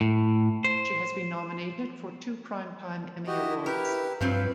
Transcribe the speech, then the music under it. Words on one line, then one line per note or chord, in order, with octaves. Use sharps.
She has been nominated for two Primetime Emmy awards.
A2
C5
E4 F#4 G4 D#5
G4 A#4 B4
G2 F3 F#3 C4 B4 F5